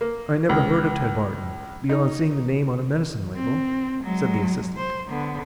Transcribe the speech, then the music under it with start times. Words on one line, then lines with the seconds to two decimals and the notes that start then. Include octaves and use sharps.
"I never heard of Ted Barton, beyond seeing the name on a medicine label," said the assistant.
0.01 A#3
0.49 C#2
1.89 D#4
3.36 C4
4.03 F#3 G#3
4.77 C5
5.09 D3 B3